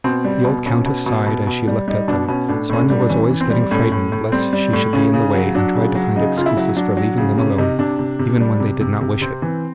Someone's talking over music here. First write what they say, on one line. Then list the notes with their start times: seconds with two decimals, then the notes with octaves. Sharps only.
The old countess sighed as she looked at them; Sonya was always getting frightened lest she should be in the way and tried to find excuses for leaving them alone, even when they did not wish it.
0.04 B2 C4
0.25 G3
0.45 B2
0.66 B2 C#4
0.86 B2
1.06 B2
1.27 B2
1.47 B2
1.68 G3
1.88 G3 D#4
2.08 B2 D4
2.28 B2 C#4
2.48 A2 D4
2.69 A2 C#4
2.79 D4
2.90 G3
3.00 D4
3.09 E3 C#4
3.30 E3
3.41 C4
3.50 G3
3.71 A2 C#4
3.92 A2
4.12 A2
4.32 G3 C4
4.53 G3
4.73 A2
4.93 C#3 C#4
5.14 C#3
5.34 F#3
5.55 F#3 D4
5.75 C#3
5.95 F#3
6.16 C#3 D#4
6.36 C#3 F4
6.46 E4
6.57 F#3
6.77 F#3 D4
6.97 F#3
7.18 C#3
7.38 C3 C#4
7.58 C3 D#4
7.79 C3 D4
7.99 C3
8.19 C3
8.40 G3
8.60 C3
8.81 C3
9.01 C3
9.21 C3 C4
9.42 E3